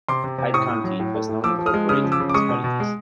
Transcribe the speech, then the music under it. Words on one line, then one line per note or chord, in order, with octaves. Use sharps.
Hyde County has no incorporated municipalities.
C3 C6 D6
C3
C3
A2 C#6 D#6
A2
F#3
A2
A3
A2
F3 D6 E6
F3
D#6 F6
G#3
C#3 D#6 F6
F3
D6 E6
C#3
D6
G#3 C#6 D#6
B2
B2
G#3